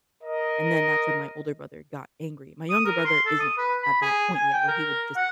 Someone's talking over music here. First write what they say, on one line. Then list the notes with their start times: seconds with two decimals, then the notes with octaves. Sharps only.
And then that's when my older brother got angry. My younger brother isn't at that point yet where he would just
0.23 A#4 D#5
2.70 D#6
2.85 A#4
3.05 C6
3.26 A4
3.40 D#6
3.58 B4
3.83 B5
4.02 G#4
4.34 G#5
4.53 G5
4.68 A#4
5.16 F#5